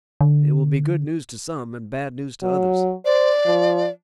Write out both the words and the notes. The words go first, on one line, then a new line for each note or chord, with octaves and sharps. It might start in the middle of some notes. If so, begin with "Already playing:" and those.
It will be good news to some, an' bad news to others.
D3
F#3
C5 D5
F3